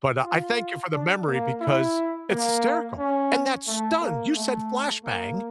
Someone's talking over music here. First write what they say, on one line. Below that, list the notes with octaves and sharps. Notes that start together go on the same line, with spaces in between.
But, uh, I thank you for the memory because it's hysterical, and that stunned, you said, "flashbang"
F4
D4
A#3
E4
A#3
C#4
A3
A#3
A3
A#3